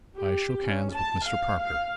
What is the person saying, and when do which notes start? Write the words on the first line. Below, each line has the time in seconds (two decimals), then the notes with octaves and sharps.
I shook hands with Mr. Parker.
0.17 G4
0.63 C#4
0.93 A5
1.27 F5
1.61 F5